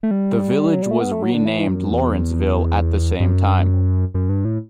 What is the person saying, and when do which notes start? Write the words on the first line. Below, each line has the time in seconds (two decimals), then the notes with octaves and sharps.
The village was renamed Lawrenceville at the same time.
0.03 A3
0.11 G3
0.73 F#3
0.82 G3
0.91 A3
1.00 B3
1.12 A3
1.23 F#3
1.34 D3
1.46 E3
1.68 F#2
1.91 E2
3.20 G2
3.24 F#2
4.14 F#2
4.29 G2
4.45 A2